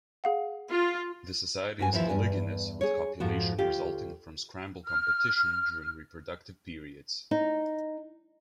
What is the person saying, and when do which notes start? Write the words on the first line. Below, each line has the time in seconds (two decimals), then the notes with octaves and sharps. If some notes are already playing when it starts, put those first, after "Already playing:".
The society is polygynous with copulation resulting from scramble competition during reproductive periods.
0.24 G#4 F5 F#5
0.69 F4
1.79 G2 F#4 G#5
1.92 D#2 E3 F3 E5
2.09 E2 G2 G#5
2.81 G#4 C#5
3.20 F2 G#2 F3 F#4
3.59 D2 F4 G4
4.85 F6
7.31 D#4